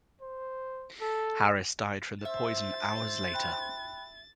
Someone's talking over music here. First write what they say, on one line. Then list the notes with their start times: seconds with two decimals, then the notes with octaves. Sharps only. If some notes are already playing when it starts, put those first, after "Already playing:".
Harris died from the poison hours later.
0.22 C5
1.01 A4
2.25 C5 E5 A6
3.33 G5 B5 F#6